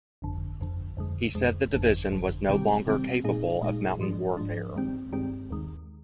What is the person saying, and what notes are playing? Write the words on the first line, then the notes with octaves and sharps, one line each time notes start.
He said the division was no longer capable of mountain warfare.
G1 F2 D3
G1 F2 D3
F2 D3 G#3
F2 D3 G#3
G1 F2 D3
G1 F2 D3
C3 D#3 G3 C4 G4
C3 D#3 G3 C4 G4
A#2 G#3 D#4 G#4
A#2 G#3 D#4 G#4
G#2 F3 G#3 D4
G#2 F3 G#3 D4
G2 D#3 G#3 C4 G4
G2 D#3 G#3 C4 G4
D#2 D#3 G#3